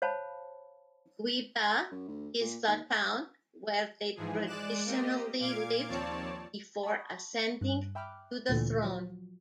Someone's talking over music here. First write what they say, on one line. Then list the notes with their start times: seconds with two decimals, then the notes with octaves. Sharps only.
Guiba is the town where they traditionally lived before ascending to the throne.
0.02 C5 C#5 F5 A5 B5
1.91 F#2
2.08 D2
2.40 A#2
2.67 D#2
4.16 G#2 E3 F3 G#4
4.46 G#3 D5 D6 F#6 E7
4.85 A#3 C4 G4 D#5
5.40 A#2 F5 D6 G#6 D7
5.88 D#2 F3 C4 C#5 D5 A5
6.83 A5 B5 C#6 D#6
7.61 G2 F#6
7.95 E5 G5 B5 D6 F6 F#6
8.49 D2 A#2 D3 E3
8.83 F3 F#3